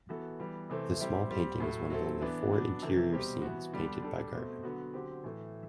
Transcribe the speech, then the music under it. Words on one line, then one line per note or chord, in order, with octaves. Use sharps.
The small painting is one of only four interior scenes painted by Gaertner.
E3 B3 F#4 A4
E3 G3 B3
C3 E3 A3 C4
G3 C4 E4 G4
G3 C4 G4
A2 F#3 A3
F#3 C4 E4 A4
E3 B3 D4
F#3 B3 D4
C3 E3 A3
B2 G3 C4 G4
E3 B3 F#4
D3 G3 B3 D4
G3 D4 A4
B2 A3 C4
D3 F#3 B3 F#4
D3 F#3 C4 G4
A2 E3 A3